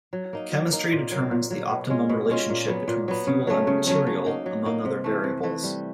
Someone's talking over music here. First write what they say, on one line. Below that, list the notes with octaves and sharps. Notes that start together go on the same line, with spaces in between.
Chemistry determines the optimum relationship between the fuel and the material, among other variables.
F#3
A#3 D#4
F#3
A#3 D#4
A#2
F#3 A#3
A#2
F#3 A#3
B2
G#3 C#4 F4
B2
G#3 C#4 F4
A#2
F#3 B3
A#2
F#3 B3
C#3
F#3 A3 C#4
C#3
F#3 A3 C#4
F#3
A#3 D#4
F#3
A#3 D#4
C3
E3 A3
C3
E3 A3
G3